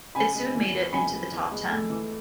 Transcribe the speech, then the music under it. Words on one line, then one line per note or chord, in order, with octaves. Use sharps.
It soon made it into the top ten.
C#3 G#5 B5
G#3
E3
E2
C#3 G#5 B5
E2
E2
G#3
A3
E3